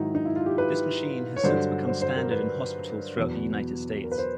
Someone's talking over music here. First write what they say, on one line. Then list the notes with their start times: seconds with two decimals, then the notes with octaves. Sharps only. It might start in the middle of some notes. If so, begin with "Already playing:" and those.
This machine has since become standard in hospitals throughout the United States.
Already playing: G#2 D#3 F#3 D#4 E4
0.15 D#4
0.25 E4
0.36 F4
0.46 G4
0.58 B4
1.36 C#5
1.44 G2 D3 F#3 C5
1.87 C5
2.02 C5
2.16 A#4
2.31 B4
3.17 E2 B2 F#3
4.04 A#4
4.12 B4
4.18 C5